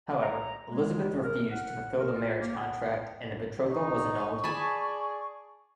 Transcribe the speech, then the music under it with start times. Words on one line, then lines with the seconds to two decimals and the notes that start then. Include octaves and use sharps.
However, Elizabeth refused to fulfill the marriage contract and the betrothal was annulled.
0.22 A#5
0.69 G#3
1.23 A#4
1.51 F#5
1.99 A#4
2.15 F4
2.40 A#3
2.56 B3
3.69 D#4 C#6
4.44 G#4 D5 G#5 A5 B5